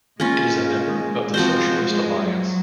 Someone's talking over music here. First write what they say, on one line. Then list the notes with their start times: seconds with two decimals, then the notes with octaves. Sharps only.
It is a member of the Socialist Alliance.
0.20 G#3 A#3 C#4 F4
1.34 F3 G#3 C4 F#4 C5
1.91 G#3
2.20 F#3